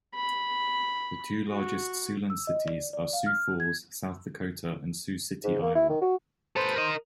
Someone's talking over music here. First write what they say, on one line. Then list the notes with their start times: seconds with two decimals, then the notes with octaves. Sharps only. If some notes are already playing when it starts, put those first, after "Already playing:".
The two largest Siouxland cities are Sioux Falls, South Dakota, and Sioux City, Iowa.
0.15 B5
1.49 F#4
2.30 E6
2.47 D#5
2.66 D5
2.93 D5
3.13 F5
3.26 F6
3.60 G#6
5.44 G#2
5.62 A#3
5.75 E4
5.90 D#3
6.02 F#4
6.56 A4 B4 C5
6.76 A#4 D#5